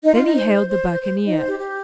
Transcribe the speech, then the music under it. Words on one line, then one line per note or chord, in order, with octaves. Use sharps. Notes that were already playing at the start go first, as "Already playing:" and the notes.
Then he hailed the buccaneer.
D#4 D#5
F4 F5
D#4 D#5
C5
C5
C5
D#4 D#5
C5
G4
G4